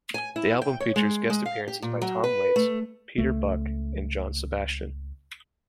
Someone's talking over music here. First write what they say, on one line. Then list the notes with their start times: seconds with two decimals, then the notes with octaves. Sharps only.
The album features guest appearances by Tom Waits, Peter Buck and John Sebastian.
0.14 G#5
0.36 E4
0.62 G5
0.80 C#5
0.96 G#3
1.30 G#3
1.46 F5
1.68 G4
1.82 A#2
2.02 F#3
2.24 B4
2.56 A3
3.18 C#2 A3